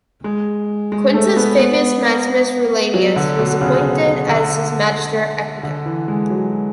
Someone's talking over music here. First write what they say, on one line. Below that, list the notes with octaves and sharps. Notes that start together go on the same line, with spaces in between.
Quintus Fabius Maximus Rullianus was appointed as his magister equitum.
G#3
G#3
A3
B3
B3
F#3
D3
B2
C#3
D3
D3
E3
G#3
F#3